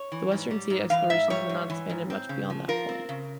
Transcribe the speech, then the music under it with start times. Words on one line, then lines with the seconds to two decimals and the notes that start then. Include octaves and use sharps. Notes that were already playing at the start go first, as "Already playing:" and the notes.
The western sea explorations were not expanded much beyond that point.
Already playing: C#5
0.12 E3
0.32 G#2
0.51 G3
0.70 G#2
0.90 E3 F5
1.10 G#2 E5
1.30 G3 C#5
1.49 G#2
1.70 E3
1.89 G#2
2.10 C4
2.29 C#3
2.50 F3
2.69 F4 A#4
2.89 C4
3.09 C#3